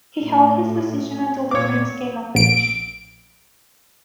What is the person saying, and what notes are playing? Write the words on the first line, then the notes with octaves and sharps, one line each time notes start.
He held his position until the Prince came of age.
A2
A#2 C#5 D6
A#1 D7